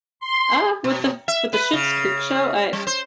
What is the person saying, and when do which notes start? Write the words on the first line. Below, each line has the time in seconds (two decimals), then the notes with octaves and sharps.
Uh, with the f with the Schitt's Creek show, I
0.20 C6
0.84 B2
1.28 E5
1.53 B4
1.73 C#3
2.73 G3
2.87 C5